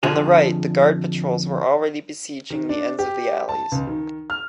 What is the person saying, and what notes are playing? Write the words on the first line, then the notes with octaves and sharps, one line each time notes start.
On the right, the guard patrols were already besieging the ends of the alleys.
F2 D3 F3 G#4
D#3
D4
G4
A5
C#2
D#3
F6